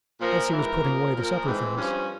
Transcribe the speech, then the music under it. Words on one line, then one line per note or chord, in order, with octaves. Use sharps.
Elsie was putting away the supper-things.
A#2 F3 A#4
G#2 E3 A#4
A#2 F3
A#2 F3 A#4
G#2 E3 C4
G2 F3 C#4